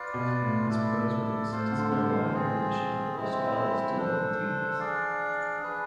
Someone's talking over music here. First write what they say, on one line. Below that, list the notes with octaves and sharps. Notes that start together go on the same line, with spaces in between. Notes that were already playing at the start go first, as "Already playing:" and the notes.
His prose works display wide erudition, but their style is dull and tedious.
Already playing: F4 B4 D5 F5
B2
A2
E4 A4 D5
A2 F4 A4 C5 F5
D3
D3
E3
C4 F4 G#4
G#3 C4 E4
E3
F3 D4 A4 C5
D4 G#4 D5 F5
D4 G#4 B4